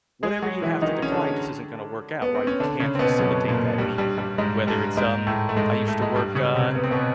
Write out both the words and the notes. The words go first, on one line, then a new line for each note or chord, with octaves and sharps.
whatever you have to decline just isn't gonna work out, why you can't facilitate that need. Whether it's, um I used to work, uh,
G#3 G#4
F#3 F#4
E3 E4
D#3 D#4
C#4
D3 D4
B3
C4
C#4
D3 D4
C#3 C#4
C4
B2 B3
F#2 F#3
A#2 A#3
G2 G3
G2 G3
G2 G3
G#2 G#3
G2 G3
G#2 G#3
A2 A3
A3
G#2 G#3
A3
G#3
G2 G3
C#3 C#4
C3 C4
B3
C4
B2 B3